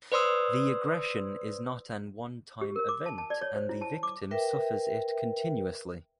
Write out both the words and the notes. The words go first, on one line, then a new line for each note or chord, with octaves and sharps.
The aggression is not an one-time event and the victim suffers it continuously.
B4 C5 D5 C6 D#6 E6
G4
A#4
D6
A5
A5
D5
C#5
C5
E4
A5
D6
A#4 B4 E5 G5